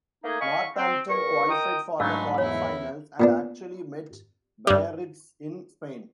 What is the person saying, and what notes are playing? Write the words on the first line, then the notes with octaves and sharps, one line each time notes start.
Northampton qualified for the quarter-finals and actually met Biarritz in Spain.
A3 A#3 D#4 G#4
D#5 F5 G#5 B5 C#6
C4
E2 G2 A#4 C#6
A#4 D#5 G5 D#6
G#2 F#3 A3 D4 D#4 F5 B5
E2 E4 C#5
A#2 B3 D4
G2 G3